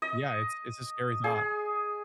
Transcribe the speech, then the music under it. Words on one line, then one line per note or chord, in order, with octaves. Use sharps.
Yeah, it's it's a scary thought.
D#5
G#4